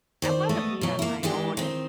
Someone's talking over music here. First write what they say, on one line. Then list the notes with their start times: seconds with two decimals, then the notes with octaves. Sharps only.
I wanna be on my own, and
0.22 D#3 C5 D5
0.49 A3 B3 D#5
0.81 B2 F#3
0.99 A#3 E4
1.23 E3 G#3 D4 G4
1.57 D#3 C4